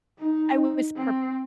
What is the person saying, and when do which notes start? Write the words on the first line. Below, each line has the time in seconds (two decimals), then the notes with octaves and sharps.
I was prep
0.18 D#4
0.96 C4